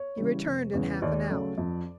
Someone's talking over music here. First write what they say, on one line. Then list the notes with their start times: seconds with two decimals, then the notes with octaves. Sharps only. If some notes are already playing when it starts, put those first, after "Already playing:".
He returned in half an hour.
Already playing: C#5
0.17 C#3 E3 G3
0.46 F1
0.74 E2 C#3
1.02 D#2 D5
1.29 C#3 F#3 A3
1.58 F2